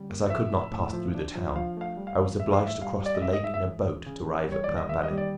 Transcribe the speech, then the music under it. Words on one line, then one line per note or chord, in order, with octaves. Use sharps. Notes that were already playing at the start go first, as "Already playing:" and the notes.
As I could not pass through the town, I was obliged to cross the lake in a boat to arrive at Plainpalais.
Already playing: D3 G3 C#4
A#3
F3 E5
A2
A2
F3
D4
F3
F3 F5
A3 F5
G3
F5
E3
A2 E5
F5
A2
E5
G3 F5
G3 D5
D#5
G#2 E5
D#5
G#2 E5
E5
E3
C#3
C#3
E3
G3 C#5
D#2 D5
D#5
D#2 E5
D#5
G3
D5